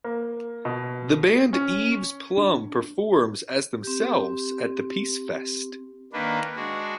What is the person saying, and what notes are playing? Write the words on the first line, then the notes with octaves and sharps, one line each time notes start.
The band Eve's Plum performs, as themselves, at the Peace Fest.
A#3
B2
C#4
D4
C4 G4
D#3 A#3 D4 B4
G#3 D4 F#4